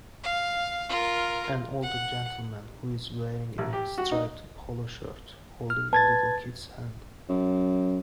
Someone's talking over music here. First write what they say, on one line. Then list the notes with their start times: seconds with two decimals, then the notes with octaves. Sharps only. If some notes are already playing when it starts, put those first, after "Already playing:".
An older gentlemen who is wearing a striped polo shirt holding a little kid 's hand.
0.24 F5
0.89 F4 A#4
1.83 F#5
3.58 A1
3.73 G4
3.98 F#4
4.11 D#4
5.70 F6
5.93 B4 A5 G#6 A6
7.29 F#2